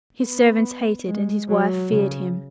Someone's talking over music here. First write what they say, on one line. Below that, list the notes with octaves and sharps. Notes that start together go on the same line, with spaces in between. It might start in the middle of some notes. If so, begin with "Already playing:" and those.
His servants hated, and his wife feared him.
B3
G#3
F#3
C#3